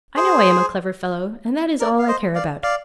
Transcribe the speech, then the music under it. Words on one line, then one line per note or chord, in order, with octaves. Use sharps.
I know I am a clever fellow; and that is all I care about.
G#4 C5
A#4 D5
F5
C5 D#5
D5 F5
D5 F5